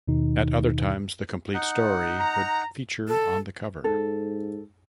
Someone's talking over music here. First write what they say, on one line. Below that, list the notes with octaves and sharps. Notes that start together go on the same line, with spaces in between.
At other times the complete story would feature on the cover.
D#2 B2 D#3 D#4
D#4 F#5
A#5
A4
G#2 A4